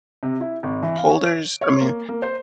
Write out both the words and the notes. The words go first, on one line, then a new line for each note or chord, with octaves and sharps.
holders? I mean
C3
E4
G#1
E3
F5
C#5
D7
C#5
A#3
A#3
C5